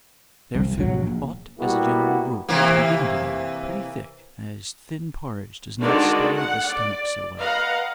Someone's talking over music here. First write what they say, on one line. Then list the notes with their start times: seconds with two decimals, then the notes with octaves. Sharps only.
Their food ought, as a general rule, to be given to them pretty thick, as thin porridge does not stay the stomach so well.
0.55 C2 F3
0.78 E1 A2 F#3 A#3
0.94 A#1
1.59 G3 A#3 B3 E4 F#4 G4
2.48 C3 E3 A#3
5.81 D3 D#3 G#3 D#4 F#4 D5
6.37 F#5
6.68 D5
7.38 B4 D#5 F5 F#5 A#5